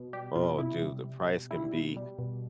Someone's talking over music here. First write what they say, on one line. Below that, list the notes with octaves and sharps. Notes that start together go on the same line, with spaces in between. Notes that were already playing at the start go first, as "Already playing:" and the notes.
Oh, dude, the price can be
Already playing: B2
G3 G4
B2 F4
C3 E4
G3
G3
B2
G3 E4
B2
G3
B2